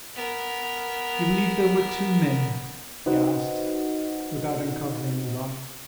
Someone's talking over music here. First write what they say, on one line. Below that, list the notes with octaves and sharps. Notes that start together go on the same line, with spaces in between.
"You believe there were two men?" he asked, without uncovering his eyes.
B3 A#4
D#4 F#4 B4 C5 D#5 F#5